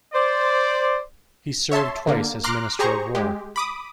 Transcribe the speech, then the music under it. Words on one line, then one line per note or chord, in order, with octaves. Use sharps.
He served twice as minister of war.
C5 D5
C#5 E5 A5 C6
D3 A#3
A#5 C6 D6 F6 F#6
G4 G#4 C5 A#5 C#6
G#3 G4
B5 D6 D#6